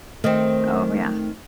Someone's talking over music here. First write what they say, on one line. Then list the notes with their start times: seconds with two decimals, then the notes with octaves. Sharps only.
Oh, yeah.
0.24 D#3 A3 C4